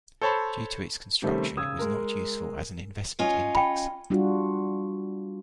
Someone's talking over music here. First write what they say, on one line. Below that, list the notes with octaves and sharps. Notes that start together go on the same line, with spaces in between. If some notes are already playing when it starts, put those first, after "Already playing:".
Due to its construction it was not useful as an investment index.
A4 C5 C#5 A5 B5 C6
C3 D#3 G3 A3 C4 C#4
C#3 D#6 E6 G#6
G#3 A#4
C#4 F4 D#5
G5 B5
G3 D4 F4 F#4